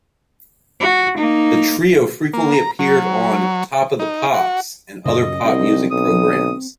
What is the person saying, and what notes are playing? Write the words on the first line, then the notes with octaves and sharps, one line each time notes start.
The trio frequently appeared on "Top of the Pops" and other pop music programmes.
F#4
A#3 D#4
A#3
A#5
F#3
D#4
F#4
F#2 C#3 D#5
C2 C4
B1 D#6